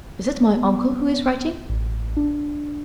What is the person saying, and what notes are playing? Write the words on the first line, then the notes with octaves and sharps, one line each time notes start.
"Is it my uncle who is writing?"
B3
A1
D4